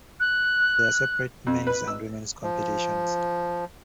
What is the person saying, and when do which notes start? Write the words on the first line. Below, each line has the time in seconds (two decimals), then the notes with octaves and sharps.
There are separate men's and women's competitions.
0.19 F#6
1.47 F2
1.67 B4
1.88 E6
2.43 F3